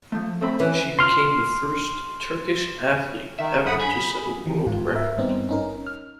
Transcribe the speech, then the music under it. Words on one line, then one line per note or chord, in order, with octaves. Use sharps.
She became the first Turkish athlete ever to set a world record.
F3 A3
F#2 A3 C4 B5
E3 C#4 B4
C6 F6
D#3 E5
F#2 F#5 B5 D#6
G#4 B5
D#3 E3
G#1 G#2 F4
A#4 E5
G#1 G2 B3 C4 D#4
C#4 D#4 A#4
F6